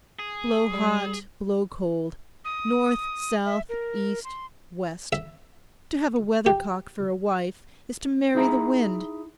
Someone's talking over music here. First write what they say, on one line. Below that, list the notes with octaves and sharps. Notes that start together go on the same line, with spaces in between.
Blow hot, blow cold. North, south, east, west--to have a weathercock for a wife is to marry the wind.
G#4
G3
D#6
E5
A#4
C6
E5
G4
D#4 E4 G#4 E5 A#5